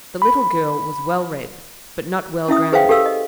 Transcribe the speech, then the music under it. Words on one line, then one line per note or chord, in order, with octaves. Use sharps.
The little girl was well-read, but not well-grounded.
B5
C#4 E4 E5 D#6
G#4 B4 C5 E5 F5 G5
G4 A4 B4 F5 E6
D#5